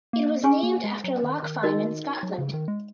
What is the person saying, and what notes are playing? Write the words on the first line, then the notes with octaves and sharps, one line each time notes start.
It was named after "Lock Fine" in Scotland.
A#3
C#4 G#4 C#5 G#5 C#6
A#3
G#3
F#3
D#3
D#3
D#4 F#4 A#4 D#5
F#3
C#3
D#3
G#3